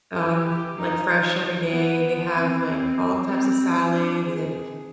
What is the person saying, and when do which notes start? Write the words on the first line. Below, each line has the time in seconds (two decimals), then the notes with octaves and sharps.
um, like, fresh every day, they have, like, all types of salads and,
0.14 G4
0.46 G4
0.77 D#4
1.71 B3
2.35 C4
2.66 C4
3.28 C4
3.91 D4
4.23 G#4